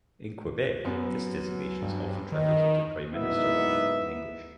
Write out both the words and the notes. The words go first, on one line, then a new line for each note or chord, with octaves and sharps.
In Quebec, this designation is often translated to "prime minister" in English.
F#2 B3
F#3
G2
D#3 D#5
F#1 G#2 B3 D#4 E4 E5